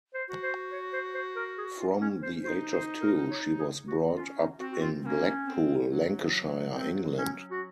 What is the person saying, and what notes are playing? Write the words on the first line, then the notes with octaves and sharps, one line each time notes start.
From the age of two, she was brought up in Blackpool, Lancashire, England.
C5
F#4
C5
C#5
C5
C5
A#4
G#4
F4
C#4
C5
F#4 C5
D#4
C5
A#4
C#5
G#4
F#4
D#4 F4
C#4
D#4
C4 F#4
F#4
F4
A#3 C4 C#4
C4
F#3
C4
C#4
F#4